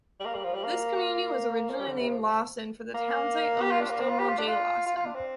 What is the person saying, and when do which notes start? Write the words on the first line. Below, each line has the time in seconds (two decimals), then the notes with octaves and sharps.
This community was originally named Lawson, for the townsite owner, Stonewall J. Lawson.
0.20 G3
0.25 A#3
0.34 G3
0.44 F3
0.54 G3
0.63 A#3
1.70 F3
1.79 G3
1.88 D3
1.98 C3
2.08 F3
2.94 A#3
3.61 G4
3.71 F4
3.80 D4
3.90 A#3
4.00 C4
4.09 F4
4.19 G4
4.29 F4
4.38 D4
4.48 F4
4.86 F4
4.96 F4
5.05 D4
5.15 C4